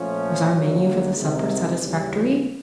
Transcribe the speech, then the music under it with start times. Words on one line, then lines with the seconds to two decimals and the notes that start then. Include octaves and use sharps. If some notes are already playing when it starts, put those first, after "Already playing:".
Was our menu for the supper satisfactory?
Already playing: A#2 F3 A3 C#4 F4
0.52 F#2 D3 F#3 A#3
1.15 C2 C3 D#3 G#3
1.78 D#2 C#3 E3 G3